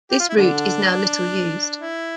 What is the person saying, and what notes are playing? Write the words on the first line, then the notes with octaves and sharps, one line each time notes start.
This route is now little used.
G4
F4
E4
D3 D4
E4